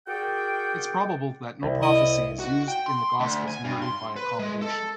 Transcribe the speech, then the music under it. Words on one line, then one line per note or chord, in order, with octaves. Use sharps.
It is probable that no prophecy is used in the Gospels merely by accommodation.
F#4 G#4 A#4 D5 F#5 G5
C2
E4 D#5
F#4
G5
C6
D2
G#5
G2
C6
B4
G#3
A4